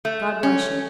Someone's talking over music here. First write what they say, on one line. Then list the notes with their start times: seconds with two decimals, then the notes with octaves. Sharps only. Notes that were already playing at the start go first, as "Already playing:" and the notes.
'God bless you!
0.05 A3
0.43 C#4